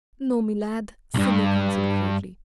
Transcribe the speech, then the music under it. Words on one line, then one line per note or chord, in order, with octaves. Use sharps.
"No, me lad," Cilley answered gravely.
B1 G2